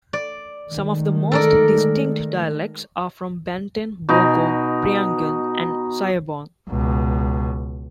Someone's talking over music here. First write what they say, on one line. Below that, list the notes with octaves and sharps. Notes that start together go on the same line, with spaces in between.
Some of the most distinct dialects are from Banten, Bogor, Priangan, and Cirebon.
D5
D#3 G#3 A3
A4 A#4 D5
B2 D#4
C#2 B2